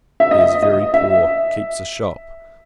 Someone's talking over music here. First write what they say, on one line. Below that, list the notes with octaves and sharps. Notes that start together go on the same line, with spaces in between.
He is very poor; keeps a shop.
E5
D#5
D#5
E5